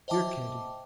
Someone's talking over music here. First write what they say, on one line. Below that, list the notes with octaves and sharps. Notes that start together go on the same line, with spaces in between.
Dear Katie!
C5 D#5 E5 G5 A5 D6